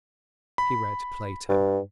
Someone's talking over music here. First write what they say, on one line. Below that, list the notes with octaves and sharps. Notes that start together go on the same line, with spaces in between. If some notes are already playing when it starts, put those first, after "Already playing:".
He read Plato.
B5
G2